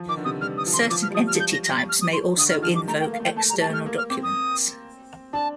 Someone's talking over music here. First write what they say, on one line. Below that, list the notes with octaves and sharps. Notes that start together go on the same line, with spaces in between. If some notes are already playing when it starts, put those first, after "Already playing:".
Certain entity types may also invoke external documents.
Already playing: F3
D#3 D6
D3
C3 D#6
G3 F6
D#6
F3
C6
F3 D6
F6
G3
F3 D#6
F6
F3
G3 G6
A#6
A#6
A6
F6
D#6
C6
D3 D#6
D#3 F6
F3 F6
G3 D6
A3 A#5
G5
A#3
F5
A3 G5
A3 A5
A#5
G3
A5
A3 F6
A#3
F6
C4 D6
D#6
D4 A5